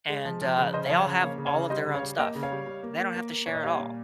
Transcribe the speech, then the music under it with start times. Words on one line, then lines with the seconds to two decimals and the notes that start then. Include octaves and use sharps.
and, uh, they all have all of their own stuff. They don't have to share at all,
0.09 G#3
0.25 F3
0.41 F3
0.58 C#3
0.73 C#3 C5 D#5
0.86 C#5 F5
0.90 F3
0.98 C#5 F5
1.06 C#3
1.22 A#3 C#5 F5
1.38 C#3
1.46 C#5 F5
1.54 C#3
1.70 G3 C5 D#5
1.86 C#3
1.95 C#5 F5
2.03 G3
2.18 A#3 D#5 G5
2.35 C#3
2.43 C#5 F5
2.52 G3
2.67 G3
2.83 A#3
2.99 A#3
3.15 A#3
3.32 A#3
3.46 A#2 C#5
3.54 D#5
3.63 G3 C#5 F5
3.79 A#2